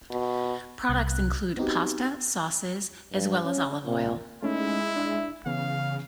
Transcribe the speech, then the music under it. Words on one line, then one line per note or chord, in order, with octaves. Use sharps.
Products include pasta, sauces, as well as olive oil.
B2
C2 F#6
B3 C4 D#4 F#4 G4
G2
C#4
A#2
G#3 A3 C#4 D#4 E4
D4 E5
C#3 E3 B3 F5